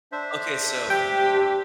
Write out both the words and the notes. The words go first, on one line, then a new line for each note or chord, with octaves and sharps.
Okay, so,
D4 C5 E5
G4 G5